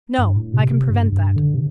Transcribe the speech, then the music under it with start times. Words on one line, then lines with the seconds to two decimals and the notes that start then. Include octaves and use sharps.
"No, I can prevent that."
0.18 G2
0.36 A2
0.54 C3
0.71 C3
0.90 G2
1.12 G2
1.36 D3
1.54 C3